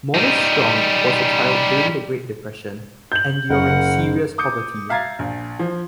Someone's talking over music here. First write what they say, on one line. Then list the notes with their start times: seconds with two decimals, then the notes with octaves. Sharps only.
Maurice Strong was a child during the Great Depression, enduring serious poverty.
0.14 G3 D#4
3.12 G6 F#7
3.50 F#1 A#4 F5 F#5
4.38 D6 D#6 G6 C#7
4.90 E5 F5 A#5 G#6 A6 C7
5.19 A#1
5.59 F3